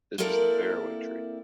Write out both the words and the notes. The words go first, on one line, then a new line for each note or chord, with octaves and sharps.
This is the Faraway Tree.
A#3 C4 E4 A4 A#4 D5